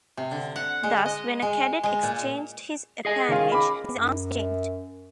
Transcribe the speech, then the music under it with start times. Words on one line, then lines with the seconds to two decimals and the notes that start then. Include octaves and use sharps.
Thus, when a cadet exchanged his appanage, his arms changed.
0.17 C3
0.31 D3
0.56 F#5
0.83 G#3
1.06 D#5
1.42 G#3
1.84 G#3
2.03 A#2
3.05 G#4 D#5 G#5
3.29 D#3 C#4 F4
3.52 B5 D6
3.96 F#2